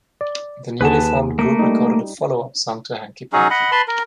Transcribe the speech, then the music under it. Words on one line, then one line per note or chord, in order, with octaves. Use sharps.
The newly formed group recorded a follow-up song to "Hanky Panky".
D5
D#2 G#4 B4 F#5 A5
A3 A#3
G3 D#4
F#3 C#4 D#4 G#4
D#5 F#5 B5
B4 A5 B5 C6
A#4